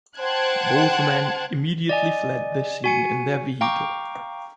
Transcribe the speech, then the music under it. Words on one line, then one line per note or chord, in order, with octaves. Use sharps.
Both men immediately fled the scene in their vehicle.
C5 F#5 G5 A5 F#6 G#6
D5 D#5 G#5
F#4 G#5 C#7
F5 G5 A#5 C#6 D6